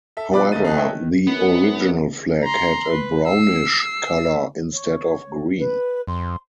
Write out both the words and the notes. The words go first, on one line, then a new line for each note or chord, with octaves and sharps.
However, the original flag had a brownish colour instead of green.
A4 E5
B2 F3 D5 B5 D6 F#6
D2 A3 A#3 D#5 A6 D#7
D#4 A5 F#6
A4 C#5 D#5 E5 G5 G#5
D#3
F#2 B3
A#5 C6
B4
E6 C7
C#5
B4
F2 C6